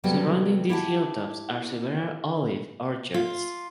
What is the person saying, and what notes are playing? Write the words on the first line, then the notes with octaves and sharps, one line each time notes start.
Surrounding these hilltops are several olive orchards.
C3 F#3 G3 B3 G4 A4
E4 G4 F#5 G#5 A5
F4